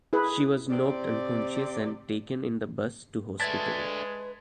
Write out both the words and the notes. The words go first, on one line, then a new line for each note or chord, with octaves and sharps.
She was knocked unconscious and taken in the bus to hospital.
E4 G#4 B4
C3 C4 D5
G#3 A3 D4 B4 G#6 A6 B6